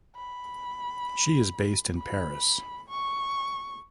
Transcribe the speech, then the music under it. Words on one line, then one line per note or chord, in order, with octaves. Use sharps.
She is based in Paris.
B5
B5
C#6